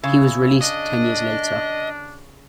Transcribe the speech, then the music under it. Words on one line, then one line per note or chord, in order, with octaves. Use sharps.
He was released ten years later.
C#3 E4
D4 D#5